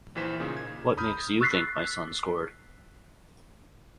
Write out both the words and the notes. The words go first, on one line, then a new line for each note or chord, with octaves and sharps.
What makes you think my son scored?
A#1 D#2 E3 C5 B6 E7
A#2 C#3 D#4
G#6
A#5 B5 D#6 F6 G6
C#6 E6 F#6 A6 B6 C7